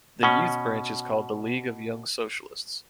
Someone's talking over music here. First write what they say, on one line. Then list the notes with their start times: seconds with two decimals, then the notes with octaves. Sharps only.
The youth branch is called the League of Young Socialists.
0.23 B2 C#4